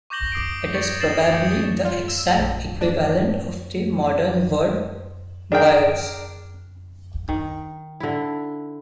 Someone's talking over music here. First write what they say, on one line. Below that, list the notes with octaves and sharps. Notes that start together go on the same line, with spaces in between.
It is probably the exact equivalent of the modern word 'byres'.
C#6 D6 G6 A#6 F#7 G7
D6 D#6 C7 D7
C#6 G#6 A6 C#7 D7
A6 C7 E7 F#7
D6 D#6 G6 G#6 C#7
F4
E6
A#1
D4
D4 G#4 A#4 G5
D#3
D3 E4